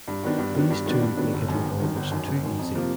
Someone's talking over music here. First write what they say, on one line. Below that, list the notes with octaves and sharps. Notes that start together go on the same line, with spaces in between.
These two make it look almost too easy.
G2
D#3 F#3 B3 D4
G2
D#3 F#3 B3 D4
G2
D#3 F#3 B3 D4
G2
D#3 F#3 B3 D4
G1
F#2 D#3
G1
F#2 D#3
G1
F#2 D#3
G1
F#2 D#3
F2
C3 F3 A#3